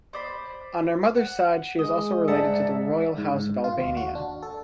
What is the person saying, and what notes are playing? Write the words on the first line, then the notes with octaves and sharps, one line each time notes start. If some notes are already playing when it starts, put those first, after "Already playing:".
On her mother's side she is also related to the Royal House of Albania.
C5 D5 B5
F#5
G#3 D#5
G#2 D5 E5 F#5 A5
G#2
F4
D#2
F#4
D4
A4